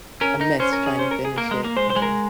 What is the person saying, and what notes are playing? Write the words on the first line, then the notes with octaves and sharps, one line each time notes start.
a mess trying to finish it, and
C#4 A#4
D#4
C#4 C5
A#4
G#4
C5
A#4
G#4
A#3 A#4
G#3
A#3
G#3 C5
C5
G#3
A#4